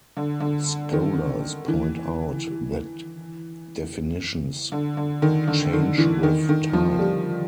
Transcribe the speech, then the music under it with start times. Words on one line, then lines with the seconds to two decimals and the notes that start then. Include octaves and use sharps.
Scholars point out that definitions change with time.
0.17 D3
0.40 D3
0.93 D#3
1.68 E3
4.72 D3
4.97 D3
5.22 D#3
5.48 D3
5.73 D#3
5.98 E3
6.23 D#3
6.49 D#3
6.73 F3
6.99 G3